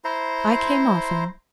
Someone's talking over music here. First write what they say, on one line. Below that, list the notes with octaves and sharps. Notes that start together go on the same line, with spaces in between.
I came often.
E4 C5 A#5 C6